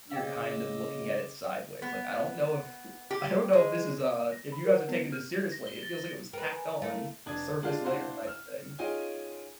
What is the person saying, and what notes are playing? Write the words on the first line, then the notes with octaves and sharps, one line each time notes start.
you're kind of looking at it sideways, like, I don't know if I don't know if this is a if you guys are taking this seriously, it feels like it was tacked on, surface layer type thing.
C#3 D#5 F5 G5 D6 E6
B3
G4
G#3
A#6
B5
A#4
F#5
B3
F6
A#6
G7
A6
A#4 B4 G5
G#5
A3 E4 A#4 F5
F1 D4 D#6 G#6
G#3 D4 F4 G4 D5 F5
D4 E4 F#4 C5 F5 C6
E6 F6
C#4 D#4 F4 G#4 G5 G#5